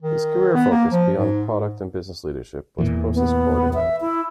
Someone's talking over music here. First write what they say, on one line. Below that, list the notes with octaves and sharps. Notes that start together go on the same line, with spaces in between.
His career focus beyond product and business leadership was process quality management.
D#3
B3
A#3
F3
G#2
G#2
E2 A#2 E3
B3
E5
E4